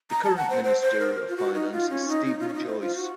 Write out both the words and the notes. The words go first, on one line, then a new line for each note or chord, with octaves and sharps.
The current Minister of Finance is Steven Joyce.
A#5
A5
F#5
C5
C5
C5
A#4
F4
F#4
D#4
F4
C#4
D#4
D#4
F4
C#4
D#4
C5
F4
F#4